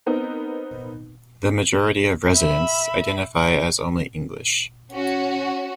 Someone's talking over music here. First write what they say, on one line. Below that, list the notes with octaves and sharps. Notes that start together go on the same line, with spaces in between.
The majority of residents identify as only English.
B3 C4 D#4 A#4 B4
E5 B5
C#4 F#4